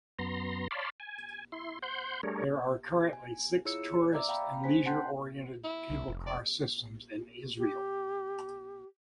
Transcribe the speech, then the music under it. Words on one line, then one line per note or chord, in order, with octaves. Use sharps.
There are currently six tourist and leisure oriented cable car systems in Israel.
F#2 B3 A#5 C6
C#5 D5 F5 A5 B5 C6
G#5
E4 C6
C5 F#5 C6 G6
G3 A3 D4 G#4 A#4 C#5
G#5
E4 F4 G#4 C#5 E6 C#7
D5 E5 A#5 D6 E6
F5 G5 A#5 B5
C#4 C5 G#5 B6
F#5 G5 A5 C6 F#6 G6
E4
C2
F1
D5
G4